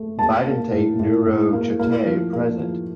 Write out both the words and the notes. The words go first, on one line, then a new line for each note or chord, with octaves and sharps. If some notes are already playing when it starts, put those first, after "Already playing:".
Bidentate neurochaetae present.
Already playing: A3
A#3 A5
A#3
A2
A2
A2
A#3
A#3
F3
A#3
F3